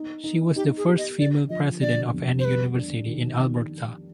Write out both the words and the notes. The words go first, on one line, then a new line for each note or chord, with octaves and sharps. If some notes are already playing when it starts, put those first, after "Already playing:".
She was the first female president of any university in Alberta.
Already playing: D#4
D#4
D#4 G4
G#4
G4
D#5
D3 D5
F3 D#5
D3 D5
F2
C5
G3 B4
D4
D#3
D#3